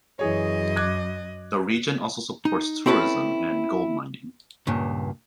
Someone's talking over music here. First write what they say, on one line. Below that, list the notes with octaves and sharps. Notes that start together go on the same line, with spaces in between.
The region also supports tourism and gold mining.
F#2 E3 G#4 C#5 D#5
D6 F#6 G#6
D#4
C4 C#4 E4 A4 B4
C#2 G2 A#2